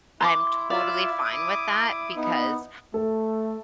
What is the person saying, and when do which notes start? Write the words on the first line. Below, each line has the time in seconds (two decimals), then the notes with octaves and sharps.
I'm totally fine with that because
0.21 E4 C6 D6
0.70 F4 D5 E5
1.24 D6 D#6
2.16 B3 D#4
2.94 A3 A4